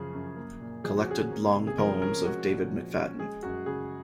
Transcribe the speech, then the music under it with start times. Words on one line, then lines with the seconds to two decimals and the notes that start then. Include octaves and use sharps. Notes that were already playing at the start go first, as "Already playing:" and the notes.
Collected Long Poems of David McFadden.
Already playing: F#2 C#3 F3 G#4
0.13 F#2
0.36 A#3
0.60 A#2
0.84 F3 G#4
0.97 F#4
1.07 C#4 G#4
1.32 A#3
1.55 C3
1.67 G#4
1.78 F3 A#4
2.02 C#4 A#4
2.25 G#3 F#4
2.49 A#2
2.72 F3
2.96 C#4
3.19 G#3 G#4
3.43 F#2 F#4
3.66 C#3 G#4